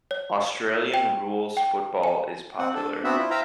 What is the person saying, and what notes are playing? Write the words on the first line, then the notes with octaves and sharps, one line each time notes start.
Australian rules football is popular.
C#5
G5
G5
G#5
C4 F#5
D4 A4
D4
B3 C4 D4 F#4 E5 F#5
E4 F4
C5 E5 F5 G5 A#5